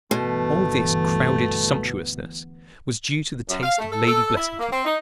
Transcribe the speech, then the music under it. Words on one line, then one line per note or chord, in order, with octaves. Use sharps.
All this "crowded sumptuousness" was due to the taste of Lady Blessington.
G1 D2 B2 E3 A3
F#2
F5
A3
A4
A4
E4
A#3
C4
D#4